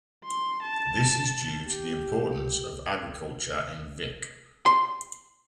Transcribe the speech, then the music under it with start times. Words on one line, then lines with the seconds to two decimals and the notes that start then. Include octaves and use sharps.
This is due to the importance of agriculture in Vik.
0.24 C6
0.62 A5
1.66 G4
4.66 C6